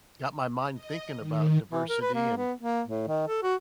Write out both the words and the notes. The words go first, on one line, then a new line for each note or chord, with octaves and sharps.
got my mind thinking about diversity and
D#5
D#3
E3
A#4
B4
A#3
B3
A#3
A2
D#3
A4
F#4